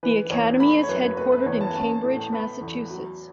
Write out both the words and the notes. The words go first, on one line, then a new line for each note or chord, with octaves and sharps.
The Academy is headquartered in Cambridge, Massachusetts.
E3 B4
E2 C#5
A3 B5
C#5
F#2 B4
A3 B4
B4
E2 C#5
A5
C#4 A5
A2
B3 B5
E2
F#3